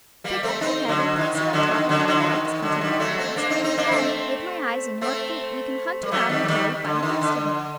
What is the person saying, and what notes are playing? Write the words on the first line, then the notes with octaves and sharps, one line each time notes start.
"Pick up my head and place it on top of my legs," continued the Prince; "then, with my eyes and your feet, we can hunt around until we find the rest of me."
G3 A#3
A3 C4
C4 D#4
D3 F#3
D#3
D#3
D3 F#3
D#3
D3 F#3
D3 F#3
D#3
D#3
D3 F#3
D#3 G3
F#3 A3
A3 C4
A#3 D4
C4 D#4
C4 D#4
A#3 D4
A3 C4
A3 C4
G3
F#3 A3
D#3 G3
F#3
D#3 G3
D3
D#3
D3